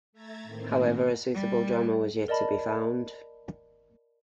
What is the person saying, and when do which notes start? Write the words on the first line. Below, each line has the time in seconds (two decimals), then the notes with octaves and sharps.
However, a suitable drummer was yet to be found.
0.13 A3 E5 A#5 G#6 A6
0.43 A2 D#3 A#3 C4
1.33 G3
2.28 A#4 D5 D#5 A5 B5